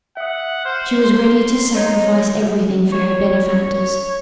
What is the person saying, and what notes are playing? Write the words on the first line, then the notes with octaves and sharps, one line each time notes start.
She was ready to sacrifice everything for her benefactors.
E5 F#5 D#6
C5 F6
C6
D#4 C#5 D#5
C#5